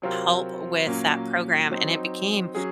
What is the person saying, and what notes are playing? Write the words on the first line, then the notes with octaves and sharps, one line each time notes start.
help with that program, and it became
C3 F#3 C4 F4 A#4
A#2 F#3 A#3 C#4
F#3 C4 D#4
F#3 C#4 G#4